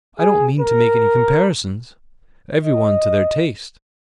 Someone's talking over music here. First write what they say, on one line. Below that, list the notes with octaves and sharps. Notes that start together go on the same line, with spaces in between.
I don't mean to make any comparisons; every one to their taste.
G#4
A#4
D#5